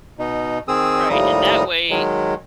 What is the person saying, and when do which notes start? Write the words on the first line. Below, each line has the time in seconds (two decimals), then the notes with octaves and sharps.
Right, and that way,
0.19 B2 D#4
0.68 D#3 C4 G#4 D#6 E6
1.10 D#2 A2 F3 G3 A#5 D#6
1.90 D#3 F#3 G#3